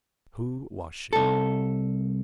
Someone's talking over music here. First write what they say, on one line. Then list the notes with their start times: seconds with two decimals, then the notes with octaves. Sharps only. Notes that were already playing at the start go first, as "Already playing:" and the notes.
Who was she?
1.13 C2 A4